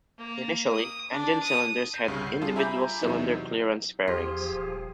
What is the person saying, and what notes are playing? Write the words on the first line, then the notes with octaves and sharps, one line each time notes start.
Initially, engine cylinders had individual cylinder clearance fairings.
A#3
D#6
D4
D#6
G6 C7 D#7
C2 G2 C#3
C7
G3 D4 F4 G#4 A4
E5 G#5 A#5 B5 D6 G6
E2 C3 F#3 D#4 E4
E2 F3 F4 G4 G#4
D#1